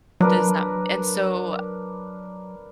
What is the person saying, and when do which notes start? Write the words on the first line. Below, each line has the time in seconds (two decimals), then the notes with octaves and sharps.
Does that and so
0.20 F#3 D4 A#4 B4